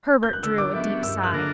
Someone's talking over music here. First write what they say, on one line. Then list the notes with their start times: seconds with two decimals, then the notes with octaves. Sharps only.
Herbert drew a deep sigh.
0.23 G6
0.33 F#6
0.43 D3 E6
0.58 D6
0.74 F#3 B3 D4 G4 E5
1.03 G2 E6
1.24 F#6
1.33 D3 A#3 D4 A#4